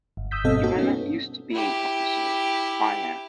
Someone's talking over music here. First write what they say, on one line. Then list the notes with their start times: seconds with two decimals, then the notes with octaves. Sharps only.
You are not used to being officered; I am.
0.17 G1
0.31 D#6 E6 G6 B6
0.44 G2 B2 C4 A4 D#5 F5
0.62 A#3 C4 D#4 F#4 A4
0.78 B3 C#4
1.51 E4 G4